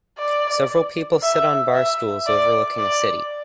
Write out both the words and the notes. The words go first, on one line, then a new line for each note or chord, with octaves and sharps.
Several people sit on bar stools overlooking a city.
D5
E5
E5
D5
D5